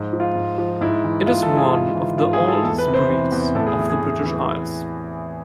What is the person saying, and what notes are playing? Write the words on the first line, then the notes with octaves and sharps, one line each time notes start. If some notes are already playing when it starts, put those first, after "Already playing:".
It is one of the oldest breeds of the British Isles.
Already playing: G#2 F3
F3
F4
G#2
F3
G#2 E4
E3
G#2 F4
A4
E3
G#4
G#2 F4
E3
G#2 F4
G#4
E3
A4
E2 A4
B4
C3
C5
E3
E2
A2 A4
G#4
E3
G#4
A2
E3